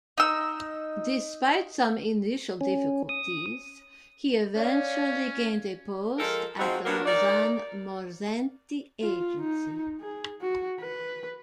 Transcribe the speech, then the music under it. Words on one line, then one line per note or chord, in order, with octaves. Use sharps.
Despite some initial difficulties, he eventually gained a post at the Mauzan-Morzenti Agency.
D#4 E6
C#4
D#6
C#4 C#5 D5 F5
F3 G#3 A4 A#4
F3 G#3 C4 D#4 F#4
F#3 G3 A#3 B3 D4 A#4
D#4 G4 A#4 D5
F4
D#4
G#4
F#4
B4